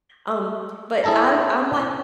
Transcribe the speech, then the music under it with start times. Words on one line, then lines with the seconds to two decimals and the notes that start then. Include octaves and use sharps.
Um, but I I'm like
1.04 E4 G#4 A4 A5 A#5